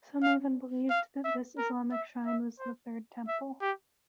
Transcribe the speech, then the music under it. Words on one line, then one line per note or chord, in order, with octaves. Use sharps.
Some even believed that this Islamic shrine was the third temple.
F5
F5
E5
A#4
E5
E5
C5
E5
G4